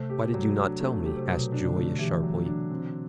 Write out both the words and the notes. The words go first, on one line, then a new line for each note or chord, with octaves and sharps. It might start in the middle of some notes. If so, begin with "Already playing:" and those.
"Why did you not tell me?" asked Julius, sharply.
Already playing: C3 A3
G4
F#3
D4
A3
G4
C3
B2 F#3
D4
D3
A3
E3 G4
F#3
D4
C4